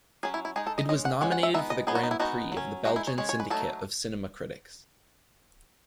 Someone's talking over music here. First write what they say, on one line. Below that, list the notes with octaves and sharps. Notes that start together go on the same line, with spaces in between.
It was nominated for the Grand Prix of the Belgian Syndicate of Cinema Critics.
F#3 C#4 G#4
E4
E4
G#3 D#4 G#4
A4
D#5
G#3 C#4 D#5
F#5
G#3 C#4 F#5
F#5
E5
G#3 B3 D#4 E5
D#5
F#3 B3 D#4 G#4
F#4
D#4
E4
G#3 B3 D#4 F#4
F#3 C#4
G#3 D#4 F#4
E4
C#5
G#3 C#4 C#5
C#5
B4
F#3 A3 D#4 A4